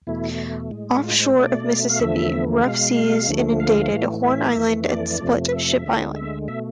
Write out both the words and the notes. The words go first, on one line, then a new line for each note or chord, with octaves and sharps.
Offshore of Mississippi, rough seas inundated Horn Island and split Ship Island.
E2 B2 A3 E4
A2 G#3
F4
C5
B2 A3 D5
F5
E2 D3 F3 A3 E5
B2 G#3 F5
D2 D3 F3 A3
F5
A2 E3 A3
E5
F2 E3 A3
D5
F2 C3 F3 A3
E5
D2 D3 G#3
E5
B2 A3 E5